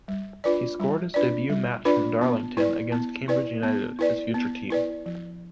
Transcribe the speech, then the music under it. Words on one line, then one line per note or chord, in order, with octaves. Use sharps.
He scored in his debut match for Darlington, against Cambridge United, his future team.
G3
D4 F4 B4 D5
G3
D4 F4 B4 D5
G3
D4 F4 B4 D5
B3
E4 B4 D5
B3
E4 B4 D5
B3
E4 B4 D5
B3
E4 B4 D5
F3